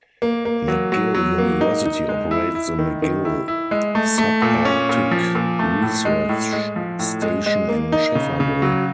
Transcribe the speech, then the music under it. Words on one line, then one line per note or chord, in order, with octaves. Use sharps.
McGill University operates the McGill Subarctic Research Station in Schefferville.
A#3
A#3
F#3
F#3
F#3
A#3
D#4
D#4
G#3
E4
E4
D#3
D#3
E4
E4
G#3
A3
A3
A#2
C#4
A#2
F3
A#2
A3
A2
G#3
A2
G#3
F3
A2
G#3
G#3
A#3
D#4
C#3
C#3
F#3